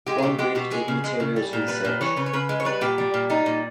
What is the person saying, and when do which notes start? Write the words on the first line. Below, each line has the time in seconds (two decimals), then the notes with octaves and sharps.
One group did materials research.
0.06 G#3 G4
0.18 G#4
0.22 B2 G4
0.39 G#3 G4
0.55 B2 G4
0.71 G#3 G#4
0.88 C#3
1.04 G#3
1.20 C#3
1.36 G3
1.53 A#2
1.68 G3 B4
1.85 A#2
2.01 E3 C#5
2.16 C#3 B4
2.26 C#5
2.33 C#3 B4
2.49 G#3
2.60 C#5
2.65 G3 B4
2.81 A#2 G4
2.98 G3
3.14 A#2
3.30 G3 D#4
3.46 A#2